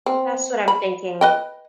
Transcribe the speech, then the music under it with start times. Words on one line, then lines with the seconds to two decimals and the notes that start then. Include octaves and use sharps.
That's what I'm thinking.
0.06 C4
0.68 B5
1.21 B4 D#5 G5